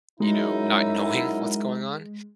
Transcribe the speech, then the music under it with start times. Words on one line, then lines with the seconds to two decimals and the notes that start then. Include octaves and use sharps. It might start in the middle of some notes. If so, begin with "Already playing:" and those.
you know, not knowing what's going on
0.20 F#2 G#3 D#4 E4